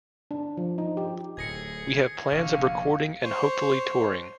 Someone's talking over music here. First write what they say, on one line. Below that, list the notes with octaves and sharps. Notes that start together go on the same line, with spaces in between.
We have plans of recording and hopefully touring.
D4
F3
D#4
G4
D1 A2 G#4 G#6 A#6 C#7
F1 A#1 D3 F5 C#6
C5 C#5